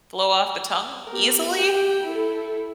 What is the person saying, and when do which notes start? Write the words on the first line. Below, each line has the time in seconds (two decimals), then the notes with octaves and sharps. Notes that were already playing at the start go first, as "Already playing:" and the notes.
flow off the tongue easily
1.07 B3 G4 A#4
1.57 G4 G5
2.03 E4 A4